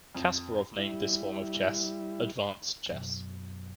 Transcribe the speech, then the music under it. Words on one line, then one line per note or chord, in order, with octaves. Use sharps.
Kasparov named this form of chess "Advanced Chess".
F2
G3 E4
F#2 B2